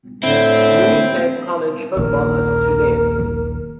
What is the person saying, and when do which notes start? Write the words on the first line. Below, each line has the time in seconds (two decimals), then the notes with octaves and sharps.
Mooney played college football at Tulane.
0.23 A2 D3 C4 E4
1.97 D#1 A#1 D#2 A#4